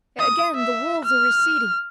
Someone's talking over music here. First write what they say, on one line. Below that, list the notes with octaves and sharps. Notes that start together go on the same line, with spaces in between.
Again the walls are receding....
D#6
E5
F6